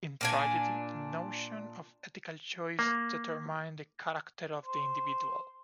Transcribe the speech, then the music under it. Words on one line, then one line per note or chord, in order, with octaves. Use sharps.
In tragedy, the notion of ethical choice determined the character of the individual.
A#2 D4 G#5
A#3
C5